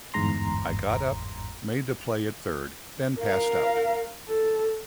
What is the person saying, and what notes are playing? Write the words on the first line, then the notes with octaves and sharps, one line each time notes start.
I got up, made the play at third, then passed out.
G1 E2 G#2 A#5 C6
A#4 F5
A4